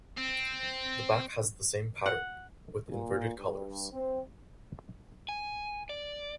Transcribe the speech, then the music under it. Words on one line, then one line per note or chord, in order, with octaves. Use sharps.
The back has the same pattern, with inverted colours.
C4
F#5
A#2
G2
C4
G#5
D5